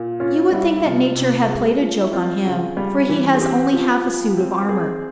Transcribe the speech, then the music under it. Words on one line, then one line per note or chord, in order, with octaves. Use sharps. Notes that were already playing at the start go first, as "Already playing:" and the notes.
You would think that Nature had played a joke on him, for he has only half a suit of armour.
Already playing: A#2
C#4 F4
G3 E4
E4
C3 F4
C3
G#3
F3
E4
C4 F4
C#3
G3
E3
G#4
C4 G4
F3
F3
C4
C4 G#4